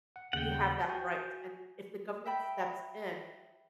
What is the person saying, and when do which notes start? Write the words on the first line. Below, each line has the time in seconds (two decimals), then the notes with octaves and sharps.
you have that right, and if the government steps in,
0.16 F#5
0.33 D#2 C#3 F#5 G5
0.88 F#4 G#5
2.25 E5 G5 B5